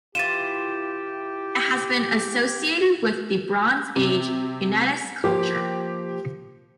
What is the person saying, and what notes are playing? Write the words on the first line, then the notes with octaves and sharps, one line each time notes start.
It has been associated with the Bronze Age Unetice culture.
E3 E4 F4 G4 A6 D#7 E7
C3
F3 A#3 G4